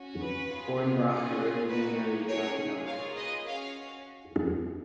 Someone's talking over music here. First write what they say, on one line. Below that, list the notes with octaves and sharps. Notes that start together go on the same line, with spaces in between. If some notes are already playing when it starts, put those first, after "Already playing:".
Hornbacher then married Jeff Miller.
Already playing: C#4 F#4
B4
B3 F4 G#4
C#4 F4 G#4
A#3 D#4 F#4 B4
C#4 G#4 A#4 C#5
A#3 F4 G#4 C#5 F5
B4 D#5
C#4 F#4 C#5 F5